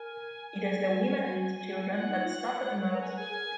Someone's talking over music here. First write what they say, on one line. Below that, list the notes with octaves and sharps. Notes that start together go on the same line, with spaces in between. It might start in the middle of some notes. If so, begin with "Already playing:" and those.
It is the women and children that suffer the most.
Already playing: A#4 G#5
F#4
F4 F#5
D#4
F4
B4
B4
A#4
B4 A#5
G#5
A#4 F#5
G#4 G#5
A#4